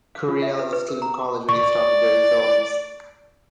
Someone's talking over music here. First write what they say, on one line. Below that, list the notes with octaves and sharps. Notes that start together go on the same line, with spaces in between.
Curiel was still in college when he started doing films.
F5
F4
E5
B4
B4
A#4
A#5
D5 C#6